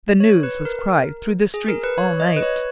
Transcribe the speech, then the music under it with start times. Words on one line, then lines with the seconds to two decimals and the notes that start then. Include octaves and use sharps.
The news was cried through the streets all night.
0.20 C#5
0.43 B4
0.65 A#4
1.54 G#4
1.68 A#4
1.84 B4
1.98 C#5
2.20 D#5
2.36 B4
2.43 C#5